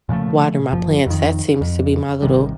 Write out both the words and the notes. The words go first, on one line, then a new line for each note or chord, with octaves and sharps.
water my plants, that seems to be my little
A#2 C#3 F3 A3
F#1 F3
F2 D#3
F2
G#1 C3 D#3 G3